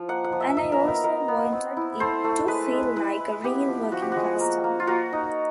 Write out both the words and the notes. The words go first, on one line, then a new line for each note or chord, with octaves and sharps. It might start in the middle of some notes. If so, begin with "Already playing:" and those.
And I also wanted it to feel like a real working class town.
Already playing: F3
A#3 F#5
F#5
F3
E5
D#4 E5
A#4
B3
A#4
D#4 A#4
B3
C4
E4
A3 C5
A3
G#3 B4
G#3
E4 B4
E4
B3 G4
F3
F3 F#4
G4
G#3 F#4
A#3
A#3
F4
A#3 F#4
D#4